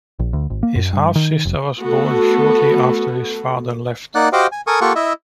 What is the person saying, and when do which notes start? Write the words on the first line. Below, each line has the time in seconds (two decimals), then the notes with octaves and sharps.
His half-sister was born shortly after his father left.
0.19 A#1
0.33 D2
0.50 G#1
0.63 A#3
0.76 F#2
0.93 G2
1.16 D#3
1.45 F1
1.79 A3 B3 F#4 A4
4.15 A#3 D#4 D5 F#5 F#6
4.33 F#4 G4 C5 D#5 F5 G5
4.52 G#5
4.67 A4 A#4 G#5 C#6 D#6
4.81 A#3 F4 G4 A4 F#5 C#6
4.95 E4 D#5 E5